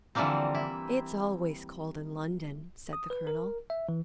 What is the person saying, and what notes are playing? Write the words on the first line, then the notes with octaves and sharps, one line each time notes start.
"It's always cold in London," said the colonel.
D3 E3 F3 G3 A#3 C4
E4
D#6
B4
A#4
E5
E3